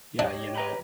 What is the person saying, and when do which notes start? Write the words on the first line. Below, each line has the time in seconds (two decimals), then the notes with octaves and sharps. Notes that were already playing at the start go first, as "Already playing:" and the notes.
Yeah, you know,
0.19 D4 G4 C#5 D#5
0.55 B4 A#5 B5